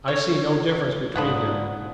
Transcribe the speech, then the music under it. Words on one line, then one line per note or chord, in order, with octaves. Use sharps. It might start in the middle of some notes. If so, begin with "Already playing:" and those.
I see no difference between them.
C#5
G#2 F3 B3 D#4 D5 F#5 D#6